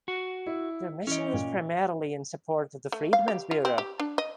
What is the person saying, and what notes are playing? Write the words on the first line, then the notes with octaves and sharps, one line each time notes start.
Their mission was primarily in support of the Freedmen's Bureau.
F#4
E4
E3 C#4 D#5 D7
A#2
A3
F5
G4
F4
C4
G4
D4
D#5